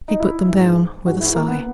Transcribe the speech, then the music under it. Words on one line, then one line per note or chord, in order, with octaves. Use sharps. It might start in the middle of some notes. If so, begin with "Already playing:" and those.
He put them down with a sigh.
D#4
E4
G#2 E3
G#2 E3 F#4
E4
A#3
B3